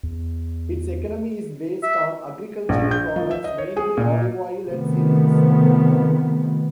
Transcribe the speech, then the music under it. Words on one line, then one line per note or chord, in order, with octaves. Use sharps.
Its economy is based on agricultural products, mainly olive oil and cereals.
E2
E5
A#1
G6
F3
E5
D#5
C#5
G#4
A#2
C3 D#3 F3 A3 B3